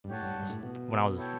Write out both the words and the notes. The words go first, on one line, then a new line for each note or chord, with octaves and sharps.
s when I was
G2
A2 G4 C#5 F#5 A5
G2
G2
A2
B2
E4 A4 C#5 G5